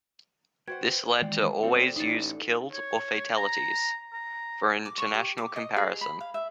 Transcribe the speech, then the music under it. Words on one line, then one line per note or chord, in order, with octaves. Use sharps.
This lead to always use killed or fatalities, for international comparison.
F#4 B4 C5 F#5 G5 G#6
D#3 E3 G#3 D5 G5
C4 F4 F#4 A4 D5
A1 D4 D#4 D5 A6
C#5
A#5
A#5
D6
C#6
G4
D6
D#5
G#4
B5
F5
E5